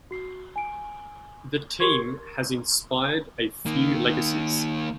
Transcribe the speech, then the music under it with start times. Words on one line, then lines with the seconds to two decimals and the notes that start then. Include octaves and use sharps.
The team has inspired a few legacies.
0.11 F#4 C7
0.56 G#5 D7
1.80 G4 A#4 C6 C#6 G#6
3.66 D#3 A#3